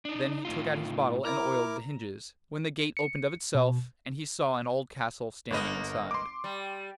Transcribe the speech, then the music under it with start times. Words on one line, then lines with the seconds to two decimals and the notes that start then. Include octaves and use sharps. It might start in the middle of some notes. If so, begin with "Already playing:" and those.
Then he took out his bottle and oiled the hinges, when the gate opened of itself, and he saw an old castle standing inside.
0.05 D4 D#4
0.45 A2 D#4 F4
1.25 E4 A#4 A#5 D6
2.97 C#7
3.55 B2
5.51 G1 A#3 B3 D#5
6.11 C6 D6
6.44 G3